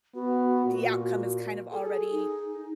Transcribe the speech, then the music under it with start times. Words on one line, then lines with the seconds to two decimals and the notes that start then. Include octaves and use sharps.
the outcome is kind of already
0.15 B3 F#4
0.66 A#2
1.72 G#4 A4
2.12 D#4